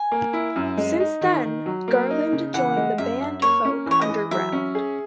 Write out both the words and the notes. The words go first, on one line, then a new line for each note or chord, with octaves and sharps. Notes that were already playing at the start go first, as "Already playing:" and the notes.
Since then, Garland joined the band Folk UnderGround.
Already playing: G#5
A#3
E4
F#2
G#3
D#4
D#3
D#3
F#3
A#3
D#4
C#3
E3 F#5
G#3
F#2 E5
F#2
A#3 C#5
C#4
E3 C#5
D#5
E3
F#3 E5
C#4
G#4